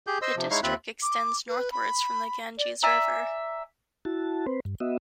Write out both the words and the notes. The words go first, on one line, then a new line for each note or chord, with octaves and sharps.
The district extends northwards from the Ganges river.
G4 G#4 G6
C5 D#5 C6 E6
C3 F3
G#3 D#4 E4 C#5 F5
D#2 C4 F4 E5 B5 F#6
D6
B4
B5
D5
D5 E5 G#5 A#5
E4 F#4 A5
C4 B4 C5
G2
B3 F#4 D#5 E5